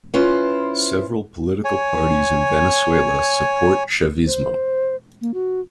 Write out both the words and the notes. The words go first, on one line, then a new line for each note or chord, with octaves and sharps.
Several political parties in Venezuela support "chavismo".
C#4 E4 F4 B4 C5
C#5 G#5
C5
A#3
F#4